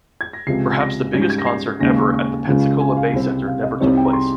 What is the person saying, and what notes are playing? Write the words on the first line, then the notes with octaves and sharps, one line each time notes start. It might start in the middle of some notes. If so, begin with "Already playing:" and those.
Perhaps the biggest concert ever at the Pensacola Bay Center never took place.
G#6
A#6
C#2 C3 F3 G#3 C7
A#6
G#2 G3 C#4 G#6
G6
G#6
A#6
C7
D#2 C#3 G#3 C#4 A#6
C#6
C#6
C#2 C#3 G#3 C#4 F4
G#5
F5
C2 C3 G3 C4
F5
D#5
C2 C3 G3 C4 D#4 C#5
G5
A#5
C6